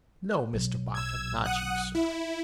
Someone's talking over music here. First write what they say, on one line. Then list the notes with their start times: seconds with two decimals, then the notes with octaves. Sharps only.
'No, Mr Boffin, not you sir.
0.53 B1 F#3
0.95 E6 G#6
1.44 F#5 D#6 F#6
1.95 E4